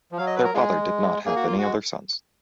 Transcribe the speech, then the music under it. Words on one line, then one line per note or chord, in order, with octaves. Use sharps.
Their father did not have any other sons.
F3
F#3 F5
D#5
B4
A#4
G#3 B3 F4 G#4
A#3 G#4
F#4
F4
G#3 F#4